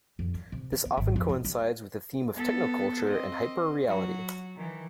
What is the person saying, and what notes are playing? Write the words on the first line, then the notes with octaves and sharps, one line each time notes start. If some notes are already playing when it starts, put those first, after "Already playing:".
This often coincides with the theme of technoculture and hyperreality.
F2
G3
C3
A3
B3
G#1
F2
E1
G3
B3 A4
C4 D#5
F#3 F#4
D#3 E3